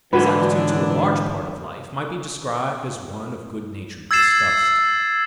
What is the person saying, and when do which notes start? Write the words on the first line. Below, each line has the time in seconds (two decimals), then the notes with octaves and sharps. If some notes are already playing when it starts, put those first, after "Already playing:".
His attitude to a large part of life might be described as one of good-natured disgust.
0.13 G#2 D3 E3 F#3 B3 D4 F#4 B4
4.11 E6 G#6 A6 C7 E7